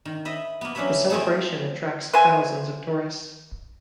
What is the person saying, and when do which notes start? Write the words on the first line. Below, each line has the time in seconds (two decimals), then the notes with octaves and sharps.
The celebration attracts thousands of tourists.
0.05 D#3
0.25 D#5 E5 B5
0.61 A#3 B3
0.75 F#3 C#4 D4 C#5 E5 B5
1.10 F3 A3 C4 E4 G#4 A4
2.13 B4 C5 E5 G#5